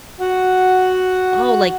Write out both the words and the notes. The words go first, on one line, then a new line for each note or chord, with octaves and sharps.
oh, like
F#4 F#5